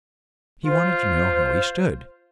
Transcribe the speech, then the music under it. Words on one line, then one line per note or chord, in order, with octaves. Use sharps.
He wanted to know how he stood.
F4 C5